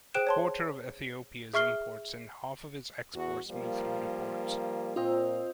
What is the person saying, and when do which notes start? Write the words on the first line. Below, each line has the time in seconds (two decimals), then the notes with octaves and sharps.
A quarter of Ethiopia’s imports and half of its exports move through the ports.
0.14 G#4 C5 G5 F#6 D7 E7
0.27 C#5 A5 C6
1.53 G#4 E5 C#6 F6 C7 G7
3.14 E2 F#4
3.49 F3 G3 A#3
4.96 A#2 C4 F4 D#5 F5